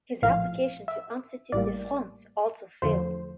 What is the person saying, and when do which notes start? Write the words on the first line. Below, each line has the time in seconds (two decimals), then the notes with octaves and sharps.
His application to Institut de France also failed.
0.23 A#1 A2 F3 F5
0.88 E5
1.52 A1 A2 G3 A#3 D5
2.82 E2 D3 F3 A3 C5